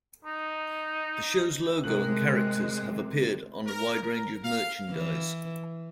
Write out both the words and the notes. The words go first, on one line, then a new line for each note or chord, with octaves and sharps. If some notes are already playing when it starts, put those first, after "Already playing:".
The show's logo and characters have appeared on a wide range of merchandise.
D#4
C3 G#3 A#3 F#6 F#7
A#4
A#4
F5
E3